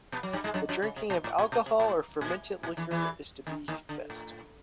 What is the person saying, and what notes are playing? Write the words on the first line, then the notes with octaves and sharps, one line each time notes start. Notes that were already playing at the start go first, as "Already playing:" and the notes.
The drinking of alcohol or fermented liquor is to be confessed.
B2 B3
F#3
G2 G3
G#2 G#3
F#2 F#3
F#2 F#3
C#3
C3
B2
A2
A#2
B2
C3
A2
A#2
A#2
E2 E3
E2 E3
D#2 D#3
D#2 D#3
D3
A2